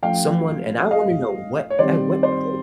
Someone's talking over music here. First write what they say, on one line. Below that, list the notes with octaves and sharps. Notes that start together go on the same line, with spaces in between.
Someone and I wanna know what at what point
F3 A3 C#4 F5 G5
D#5 F5
C#5
D#3 G3 C4 C5 D5
C5 D5